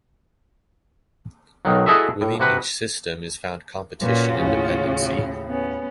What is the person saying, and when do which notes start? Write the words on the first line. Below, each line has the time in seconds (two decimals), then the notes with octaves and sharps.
Within each system is found competition and dependency.
1.65 B1 D#3 F#3
1.86 E4 F#4 G#4 A4 D#5 E5
2.21 A2
2.40 C3 F#4 B4
4.02 A#2 C#4 F4 F#4 B4
4.39 D#2 A2 C#3
5.47 B3 C#4